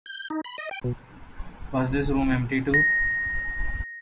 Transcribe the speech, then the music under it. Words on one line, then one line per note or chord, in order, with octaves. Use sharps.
Was this room empty, too?
G6
D#4
B5
D#5
G5
B2
A#6